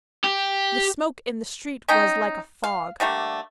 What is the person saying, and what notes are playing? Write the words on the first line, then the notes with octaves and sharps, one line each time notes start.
The smoke in the street was like a fog.
G4
C#4 D#4 G5
F5
D3 G3 A3 A#3